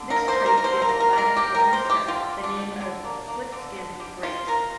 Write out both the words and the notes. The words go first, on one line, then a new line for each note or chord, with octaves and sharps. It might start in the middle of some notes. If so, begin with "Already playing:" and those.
This trait gives "Vitis labrusca" the name of "slip skin" grapes.
Already playing: D3
A#4
A#3
C5
A#3
A#4
A#4
D3 C5
A#4
A#3
A#4
A#3 A#4
C3 G4
A#4
C3
C5
G3 G4
D3 F4
D3
D4
G3
D3
A#3
A#3
D3
D3
G3
C3 F4
C3 A#4